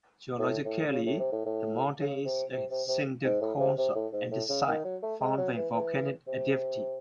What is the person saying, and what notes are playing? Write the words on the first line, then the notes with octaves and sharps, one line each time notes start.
Geologically, the mountain is a cinder cone of andesite, formed by volcanic activity.
A2
A2
C#3
A2
C3
A2
A2
C#3
C3
C3
C3
C3
G#2
A2
C3
C3
A2
G#2
A2
C#3
D#3
F#3
A3
G#3
F#3
E3
E3
C3